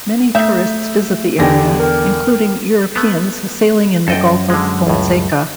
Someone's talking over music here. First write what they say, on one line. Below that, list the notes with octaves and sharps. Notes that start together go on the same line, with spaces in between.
Many tourists visit the area, including Europeans sailing in the Gulf of Fonseca.
A3 E5 G6
E2 D3 B3 G4 G5 A#6
A#4 G5
A3 B3
F#2 A4 D#5 G5
D3 G#3
C#2 A2